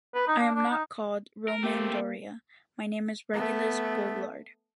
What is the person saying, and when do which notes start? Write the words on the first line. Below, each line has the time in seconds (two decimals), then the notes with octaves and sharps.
I’m not called Romain Doria, my name is Régulus Boulard.
0.15 B4
0.27 D#4
0.40 D4
0.55 D4
0.70 D#4
1.48 A#4
1.63 A3 A#3 C4 G4
3.33 A3 B3